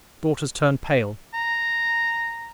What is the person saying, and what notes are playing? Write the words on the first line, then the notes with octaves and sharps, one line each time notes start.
Daughters turn pale.
A#5